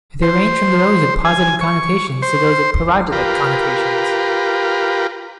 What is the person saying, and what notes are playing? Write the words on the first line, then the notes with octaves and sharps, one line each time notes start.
They range from those with positive connotations to those with pejorative connotations.
C5
G#5
C#6
C5
F4 G4 A#4 B4